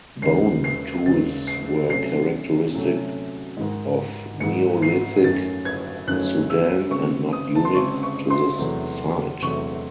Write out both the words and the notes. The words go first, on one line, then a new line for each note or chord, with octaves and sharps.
Bone tools were characteristic of Neolithic Sudan and not unique to this site.
D#2 C#3 G#3 C7
C7
D#2 C#3 G#3 A6
C7
C3 F#3 A3 C#4 C7
C3 F#3 A3 C#4
G#2 D#3 G#3
G#2 D#3 G#3 C#7
C7
F#2 D#3 F#3 A3 C#4 A6
G#6
F#2 D#3 F#3 A3 C#4 F#6
E6
C#3 G#3 C4 C#6
D#6
A5
C6
C#3 G#3 C4 C#6
C#6
C6
E2 C3 F#3 A3
E2 C3 F#3 A3 C#6